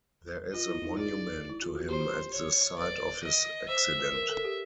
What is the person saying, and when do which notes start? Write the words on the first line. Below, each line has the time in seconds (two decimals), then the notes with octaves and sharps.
There is a monument to him at the site of his accident.
0.53 F4 D#5
0.68 E4
0.83 D#4
0.98 G#4 D5
1.50 E4
1.62 F4
1.75 F#4
1.88 G4 C5
2.33 C#5
2.78 B4 D5
3.24 D#5
3.69 C5 E5
3.99 B4
4.14 A#4
4.29 A4
4.44 G4